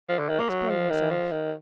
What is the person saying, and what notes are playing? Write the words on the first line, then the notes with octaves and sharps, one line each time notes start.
"Explain yourself."
F3
D3
D#3
A#3
F#3
F3
D#3
F3
D#3